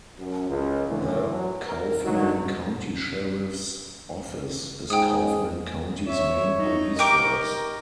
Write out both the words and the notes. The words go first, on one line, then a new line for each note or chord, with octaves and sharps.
The Kaufman County Sheriff's Office is Kaufman County's main police force.
F#2
C#2
A2 D3 E3
F#3
A#4
G#1 G2 D3 F#3 D#4 F#4
G#2 G#4 G5 D#6
C#5 E5
D#4
G4 A#4 D#5 C#6 D6